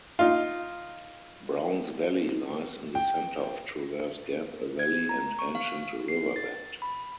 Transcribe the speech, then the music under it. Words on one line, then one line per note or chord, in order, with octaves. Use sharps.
Browns Valley Lies in the center of Traverse Gap, a valley and ancient riverbed.
D#4 F4
G5
G#6
A#5
C#6
F5
C7
A6
B5